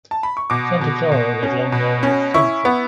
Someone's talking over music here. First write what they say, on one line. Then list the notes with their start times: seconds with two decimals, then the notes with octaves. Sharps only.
Santa Clara was long known as "Central".
0.11 A5
0.23 B5
0.37 C#6
0.50 B2 D6
0.81 B2
1.12 B2
1.43 C#4
1.72 B2
2.03 C#4
2.34 E4 C#6
2.65 B3